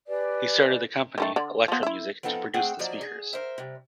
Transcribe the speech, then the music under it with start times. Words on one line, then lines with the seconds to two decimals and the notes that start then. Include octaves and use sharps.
He started a company, Electro Music, to produce the speakers.
0.07 G4 B4 D5 G#5
1.18 D#3 G#3 A3
1.36 D3 D5
1.68 F3 B3
1.83 E4 E5
2.23 F3 B3 C4 D#4 A4
2.54 A3 C4 G#4 F#5 G5
2.79 F3 F#3 A#3 D#4 D5 E5
3.01 G#4
3.33 A#4 C5 E5
3.58 C3 G3